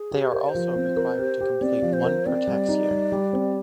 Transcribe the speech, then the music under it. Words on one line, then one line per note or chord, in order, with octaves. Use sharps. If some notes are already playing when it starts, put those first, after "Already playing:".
They are also required to complete one per tax year.
Already playing: G#4
G4
A#4 C5
D5
C5
F3
C4
A#4
G4
G4
C4 D5
F3
C5
A#4
C4 D5
G3
D#4
G3
G3
C4